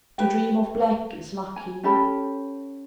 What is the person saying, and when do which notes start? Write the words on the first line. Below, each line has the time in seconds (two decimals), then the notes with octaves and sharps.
To dream of black is lucky.
0.18 G4 B4 G5
1.56 G#5
1.84 C#4 G4 A4 B5